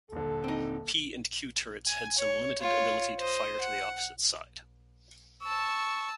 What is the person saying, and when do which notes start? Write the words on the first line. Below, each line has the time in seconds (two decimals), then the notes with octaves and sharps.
'P' and 'Q' turrets had some limited ability to fire to the opposite side.
0.12 D#1 D3 A4
0.44 C4 D#4
1.87 G#5
2.18 C#5
2.60 F4 C#5
3.19 C5 D#5
3.60 F#5
5.43 A5 C#6 E6